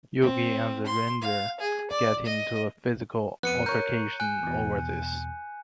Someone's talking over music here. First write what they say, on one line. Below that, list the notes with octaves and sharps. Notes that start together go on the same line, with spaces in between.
Yogi and the Ranger get into a physical altercation over this.
C4
C6
F5
G#4
D5
D#5
F2 B3 F#6 C#7 D#7
A#4 C#5 G6
G#5 F#6
E2 B2